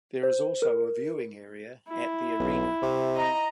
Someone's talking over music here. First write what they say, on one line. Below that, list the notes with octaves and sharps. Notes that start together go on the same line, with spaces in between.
There is also a viewing area at the arena.
C5
A#4
E4
B1
C3
D#5 A#5